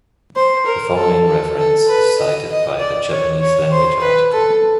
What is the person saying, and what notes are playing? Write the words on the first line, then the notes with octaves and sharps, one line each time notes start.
The following reference is cited by the Japanese-language article.
C5
A#4
A4
A4
A4
B4
D#5
D#5
D5
C#5
C#5
C5
B4
A4